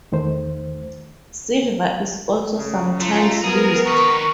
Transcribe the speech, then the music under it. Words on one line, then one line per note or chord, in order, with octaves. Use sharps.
Silver is also sometimes used.
E2 D#3 A3 C5
C#3
A3 F4 A#5
B3 G#4 A#4
D#3 B4 C#6